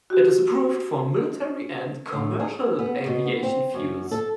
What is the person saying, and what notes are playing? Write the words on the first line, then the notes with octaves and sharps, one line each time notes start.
It is approved for military and commercial aviation fuels.
F#4 G4
A2
G#4
B3
B2
B3
C4
F#2
A4